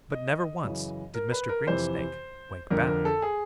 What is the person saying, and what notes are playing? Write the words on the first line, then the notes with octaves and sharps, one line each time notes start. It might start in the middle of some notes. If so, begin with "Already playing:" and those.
But never once did Mr. Greensnake wink back.
D#5
F#2 C#3 E3
A#4
B4
A#4
F2 C3 E3 C5
F2 D3 A#4
A#4
A4
G#4